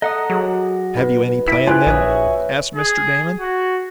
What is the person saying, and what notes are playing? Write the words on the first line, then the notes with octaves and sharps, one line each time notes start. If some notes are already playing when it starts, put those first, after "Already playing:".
"Have you any plan, then?" asked Mr. Damon.
A4 D#5 F#5 A#5 D#6 F#6
F#3 G#4
D#4 B4
E4 B6 D7
F4 G4 B4 C5 G#5 F#6
A#1 F#4 B4 C#5 E5 D#6
G#4
F#4